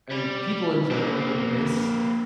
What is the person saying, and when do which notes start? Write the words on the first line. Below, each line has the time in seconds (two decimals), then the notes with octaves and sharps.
and people in general in this
0.11 G3
0.91 A#3 C4